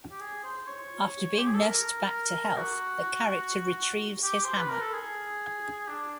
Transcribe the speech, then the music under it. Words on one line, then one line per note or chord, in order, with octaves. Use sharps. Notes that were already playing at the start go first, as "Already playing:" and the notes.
After being nursed back to health, the character retrieves his hammer.
G4
G#4
C5
C5
C#5
G4
G#4
A4
A#4
F#4
G4
C5
B4
A#4
A4
G#4
D4